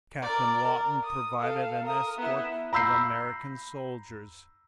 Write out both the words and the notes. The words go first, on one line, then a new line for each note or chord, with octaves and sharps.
Captain Lawton provided an escort of American soldiers.
A#4 D5
A#4
D#6
A4 F5
A#4 D#6
B3 E4
A#5 B5 E6 G6 C7